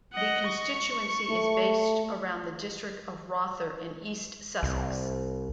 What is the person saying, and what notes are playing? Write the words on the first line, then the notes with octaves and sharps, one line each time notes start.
The constituency is based around the district of Rother in East Sussex.
D#5 F#5
C#6
A3
C2